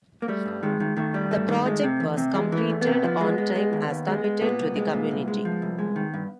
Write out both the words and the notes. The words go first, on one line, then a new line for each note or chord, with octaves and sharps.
The project was completed on time as committed to the community.
A#3
G3 A3
G2
D#3 G#3
D#3
D#3 A3
G3
G2 A3
D#3
G#3
C3
E2
C3
E2 G#3
E3
A3
E2
B3
C3
F3
G#3
G#3
G#3
D#2
D#2
G#3
G#3
A#2 B3
C2
G#3
A#2
C2
G#3
F3
C2
G#3
D#3
G2